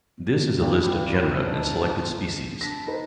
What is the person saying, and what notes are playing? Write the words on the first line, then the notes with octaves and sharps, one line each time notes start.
This is a list of genera and selected species.
E2 G2
D4 D#4
D4 A#6 B6
D#4 B4 C5